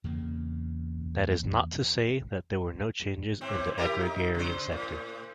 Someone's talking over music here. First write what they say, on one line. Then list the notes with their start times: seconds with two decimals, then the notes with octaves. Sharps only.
That is not to say that there were no changes in the agrarian sector.
0.04 E2 C#3 A#3
3.41 G#2 C4
3.78 E4 G4 A#4
4.01 D#4
4.34 C#3 C5
4.72 A2